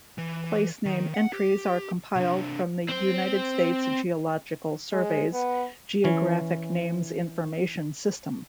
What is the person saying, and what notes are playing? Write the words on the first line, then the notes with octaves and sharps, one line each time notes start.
Placename entries are compiled from the United States Geological Survey's Geographic Names Information System.
E3
D#3
F#5
G4
C3 D4
C4 C5
G#3
B3
E3 C#4